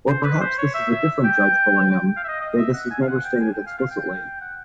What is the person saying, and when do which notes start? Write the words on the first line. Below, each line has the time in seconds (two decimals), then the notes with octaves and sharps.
Or perhaps this is a different Judge Bullingham, though this is never stated explicitly.
0.08 C5
0.24 B4
0.41 C5
0.58 C#5
0.75 E5
0.91 E5
1.24 G5
1.91 G5
2.16 F5
2.24 E5
2.28 D#5
2.41 D#5
2.58 E5
2.74 F#5
2.91 G#5
3.02 F5
3.08 F#5
3.24 G5
3.41 G#5
3.53 G5
3.66 F5
3.78 F5
3.91 G5
4.41 F#5